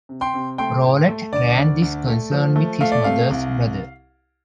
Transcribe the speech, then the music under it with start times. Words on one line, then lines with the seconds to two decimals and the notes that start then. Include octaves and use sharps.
Rolette ran this concern with his mother's brother.
0.09 C3
0.21 G5 C6
0.34 C3
0.58 A3 G5 C6
0.84 A2
1.08 A3
1.33 D2 D5
1.57 D2
1.82 D2
2.07 A3
2.32 F3
2.56 A3
2.81 A3 F5
2.92 D5
3.04 C3 F5
3.30 C2